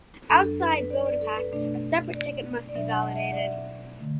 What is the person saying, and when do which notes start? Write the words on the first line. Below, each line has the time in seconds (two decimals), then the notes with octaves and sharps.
Outside Budapest, a separate ticket must be validated.
0.29 F#2 F#3 D4 A4
0.44 A4
0.60 B4
0.76 B4
0.90 D5
1.06 D5
1.21 A4
1.37 B4
1.52 B2 A3 D4 D5
2.15 D5
2.69 D5
2.75 B2 F#3 D4 E5
2.91 F#5
3.06 A5
3.15 E5
3.22 F#5
3.32 D5
3.37 E5
3.99 D3 A3